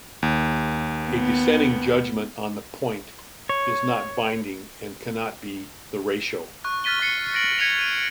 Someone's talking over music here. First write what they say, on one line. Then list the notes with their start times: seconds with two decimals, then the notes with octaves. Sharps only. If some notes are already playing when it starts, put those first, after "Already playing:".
A dissenting judgment on the point is not binding and cannot be the ratio.
0.23 D#2
1.08 B3
3.49 C#5
6.64 C#6 F#6
6.84 F6 F#6 A6 B6 D#7 G7
7.00 C#6 F#6 A6 C7 C#7 D#7
7.33 F#6 A#6 D7 F#7
7.58 G#6 B6 C#7 D#7 F7
7.79 D#7